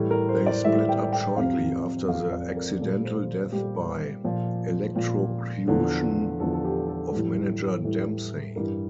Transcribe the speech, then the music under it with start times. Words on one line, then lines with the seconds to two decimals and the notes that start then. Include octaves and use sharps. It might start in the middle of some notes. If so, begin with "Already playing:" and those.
They split up shortly after the accidental death by electrocution of manager Dempsey.
Already playing: A2 E3 G3
0.11 A#4
0.29 C5
0.46 D5
0.64 A2 E3 G3 E5
0.89 G5
1.12 G5
1.36 F2 C3 F3 F5
2.08 F2 C3 F3 F5
2.32 D5
2.57 A#4
2.80 A#2 G3 A4
3.05 C5
3.52 A#2 G3 G4
4.24 A#2 F3
4.96 A#2 F3
5.68 E2 D3 F3
6.40 E2 D3 F3 A4
6.53 A4
6.64 G4
6.88 A4
7.12 A2 E3 G3
7.84 A2 E3 G3
8.56 G2 E3 G3 A#4